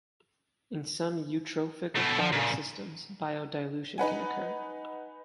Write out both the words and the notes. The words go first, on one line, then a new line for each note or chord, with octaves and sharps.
In some eutrophic aquatic systems, biodilution can occur.
B2 A3
F3
A#2 C#3
D#4 B4 F#5 G#5